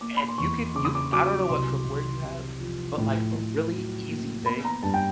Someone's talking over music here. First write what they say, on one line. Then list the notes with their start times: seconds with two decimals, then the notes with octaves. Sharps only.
and you can you can, I don't know what cookware you have, but, like, a really easy thing
0.01 A#3 D6
0.17 B5
0.28 C6
0.38 E2 C#6
0.75 C#3 D6
0.85 D#6
0.95 D6
1.12 F#3 D6
1.49 C2 C6
1.87 C2
2.24 C3
2.60 F3
2.98 A2
3.35 A2
3.72 F#3
4.09 A#3
4.46 B3 B5
4.65 A#5
4.83 G2 A5
4.94 G5